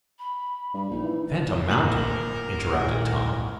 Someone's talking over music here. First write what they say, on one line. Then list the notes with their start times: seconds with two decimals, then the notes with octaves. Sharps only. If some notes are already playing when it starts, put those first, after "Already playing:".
"Phantom Mountain?" interrupted Tom.
0.19 B5
0.74 G2
0.90 A#1 D#4
1.03 E3
1.67 D2 A#2 A#4 F#7
2.72 D#1 A2 F#5